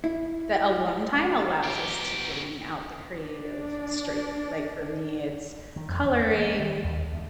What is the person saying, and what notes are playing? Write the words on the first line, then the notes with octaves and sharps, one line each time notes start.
that alone time allows us to bring out the creative streak. Like, for me, it's coloring,
E4
B2 G4
D4 D5
D#3
F2
E2
A#3
D#3
D#2
D2